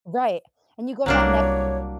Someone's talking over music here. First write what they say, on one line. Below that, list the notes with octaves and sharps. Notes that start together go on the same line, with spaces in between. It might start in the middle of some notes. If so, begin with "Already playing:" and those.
Right, and you go in that negative
C2 F#3 A#3 D4 C#5